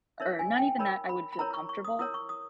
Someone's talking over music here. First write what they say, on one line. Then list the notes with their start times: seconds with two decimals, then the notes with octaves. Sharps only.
or not even that I would feel comfortable,
0.20 D#4 A#4 C#5 E5
0.39 G#5
0.59 G5
0.79 D#4 A#4 C#5 B5
1.09 B5
1.33 B5
1.39 E4 A#4 C#5 A#5
1.54 C#6
1.69 C#6
1.85 D#6
1.99 E4 A#4 C#5 D#6
2.14 C#6
2.29 D#6